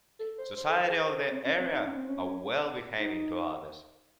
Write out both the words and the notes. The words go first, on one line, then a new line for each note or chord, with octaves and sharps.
Society of the area are well behaving to others.
A4
C5
C5
A4
C5
G#4
C5
A4
C4
C#4
C4
D#4
C#4
C4
C#4
D#4